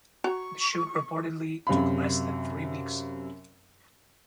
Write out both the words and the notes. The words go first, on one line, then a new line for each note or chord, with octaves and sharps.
The shoot reportedly took less than three weeks.
F#4 A#5 C#6
F#2 C3 F5 B5